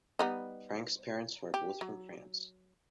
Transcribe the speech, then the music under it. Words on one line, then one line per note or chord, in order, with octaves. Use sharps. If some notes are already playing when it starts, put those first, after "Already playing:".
Frank's parents were both from France.
G3 B3 D#4
G4
F#3